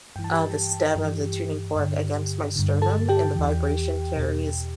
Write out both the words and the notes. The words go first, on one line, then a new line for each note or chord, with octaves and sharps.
uh, the stem of the tuning fork against my sternum and the vibration carries,
G2 E3 G5
A5
G4 G5
G2 E3
G2 D3
G2 D3
A4 A5
G4 G5
E2 E3
E2 B2